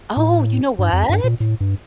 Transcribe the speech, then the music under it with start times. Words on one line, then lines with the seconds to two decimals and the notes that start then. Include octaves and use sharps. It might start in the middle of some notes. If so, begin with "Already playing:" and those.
Oh, you know what?
0.17 A2
0.79 G2
0.93 F2
1.09 G2
1.24 A#2
1.40 A2
1.61 G2